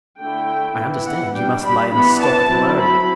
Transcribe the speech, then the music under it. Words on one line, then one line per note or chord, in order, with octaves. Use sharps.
"I understand; you must lay in a stock of hilarity."
D3 A3 E4 G5
E3 B3 E4
F#5
G3 D4 G5
B5
E3 B3 D4 B5
A5
F#3 C4 E4
B5